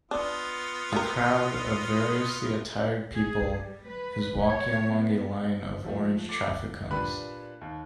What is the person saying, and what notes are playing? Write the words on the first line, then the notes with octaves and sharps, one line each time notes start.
A crowd of variously attired people is walking along a line of orange traffic cones.
B3 D4 F4 D#5
A#3 G4 A#4
G#4
G3
B4
C#5
B3
F3 A3
D6 A6
A#2 D4 G4 B4 B5 F#6
D#2